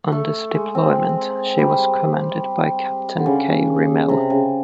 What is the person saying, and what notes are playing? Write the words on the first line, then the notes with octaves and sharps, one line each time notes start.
On this deployment, she was commanded by Captain K Rimell.
A3
G#3
C4
G3
D3
C#3
C3
C#3